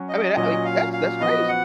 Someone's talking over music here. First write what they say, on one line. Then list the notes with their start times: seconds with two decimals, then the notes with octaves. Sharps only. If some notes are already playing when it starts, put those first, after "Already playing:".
I mean, I like, that's that's crazy!
Already playing: F#3 C#4 F#4
0.09 D#5
0.37 A#2 F#3 C#4 D#5
0.65 F5
0.93 F5
1.20 F3 B3 F#4 D#5
1.49 F#5